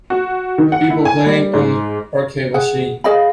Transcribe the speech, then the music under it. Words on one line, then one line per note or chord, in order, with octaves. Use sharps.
People playing an arcade machine.
F#4
D#3
F#5
E4
G#5
G3
G#2
G#4 F#5
G#4 D#5 F5 B5